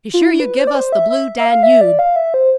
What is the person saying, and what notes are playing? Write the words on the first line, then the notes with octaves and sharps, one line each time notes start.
Be sure you give us the Blue Danube.'
F4
E4
B4
C5
D5
C5
E5
E5
E5
F5
E5
D5
F5
E5
C5